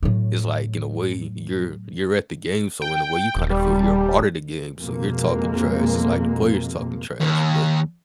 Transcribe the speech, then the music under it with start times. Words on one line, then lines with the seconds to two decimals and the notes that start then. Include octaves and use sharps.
it's, like, in a way you're you're at the game, so in a way you kind of feel you're a part of the game, so you're talking trash. It's, like, the players talking trash, but,
0.03 A2 F#3
2.82 G5
3.35 D#1
3.50 G3
4.78 F2 B2 G#3 A#3
7.21 D#2